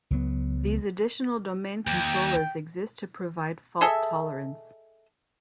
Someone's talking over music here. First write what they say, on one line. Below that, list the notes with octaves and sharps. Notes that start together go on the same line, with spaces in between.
These additional domain controllers exist to provide fault tolerance.
C#2 F#3 B3
D#2 G5
G#4 A4 D#5 E5